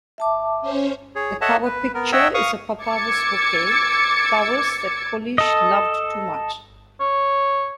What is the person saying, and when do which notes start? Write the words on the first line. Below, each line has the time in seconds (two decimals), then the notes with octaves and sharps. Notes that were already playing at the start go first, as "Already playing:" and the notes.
The cover picture is a papavers bouquet, flowers that Coluche loved too much.
0.18 E5 A5 D6
0.61 C#4 C5 C#5
1.15 G#4 C#5
1.41 A4 C#5 D#5 E5 F#5 A5
1.65 B4
1.94 B3 A#4
2.12 C#5 D#5 E5 F#5 G5 E6
2.34 F5 C#6 D#6
2.82 D6 E6 G#6 A6 C#7
5.38 A4 D#5
7.00 C#5